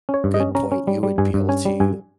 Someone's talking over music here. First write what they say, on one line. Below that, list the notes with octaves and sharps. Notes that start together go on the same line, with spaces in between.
good point, you would be able to
C#4
C#5
G2
D#5
C#4
C#4 A#5
C#4
G3
G3
G2 G#5
G2
C#4 G#5
G3
G2 G#5